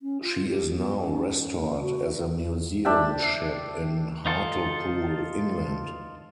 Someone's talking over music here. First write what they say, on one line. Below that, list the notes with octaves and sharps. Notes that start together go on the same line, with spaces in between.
She is now restored as a museum ship in Hartlepool, England.
C#4
F4
G4
B3
C#4
A#3
F#4
D4 D5 E5 G5
D#4 F4 A4